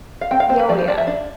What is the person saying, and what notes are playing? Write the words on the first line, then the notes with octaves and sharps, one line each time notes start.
Y oh, yeah.
F5
C4 G5
F5
C4 C5
B4
F3 D5
C5
F3 D5
E5
D4